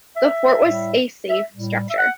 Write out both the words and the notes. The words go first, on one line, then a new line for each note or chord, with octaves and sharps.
The Fort was a safe structure.
E5
A2 G3
E5
A2 G3
E5
F#5